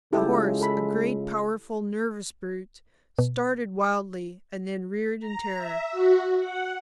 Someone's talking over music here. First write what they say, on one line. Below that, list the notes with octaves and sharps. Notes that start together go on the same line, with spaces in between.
The horse, a great, powerful, nervous brute, started wildly and then reared in terror.
C#3 G#3 E4 F4 G4 A4
A4 B5
B2
A#5
E5
F#4
F#5